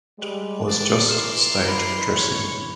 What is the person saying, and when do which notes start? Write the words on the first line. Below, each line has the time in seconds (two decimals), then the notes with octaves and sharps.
I was just stage dressing.
0.19 G3 G#3
0.68 E3 G3 D4 D5
1.09 A#4 D5 C6 F6 E7
1.68 B5
2.16 C#5